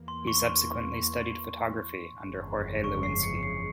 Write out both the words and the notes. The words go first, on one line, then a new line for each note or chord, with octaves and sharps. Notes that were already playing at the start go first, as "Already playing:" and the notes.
He subsequently studied photography under Jorge Lewinski.
Already playing: E2 E3 A#3
C6
C#6
C6
G1 F2 C#3 E3 G#3
C#6
C7
C#7
C7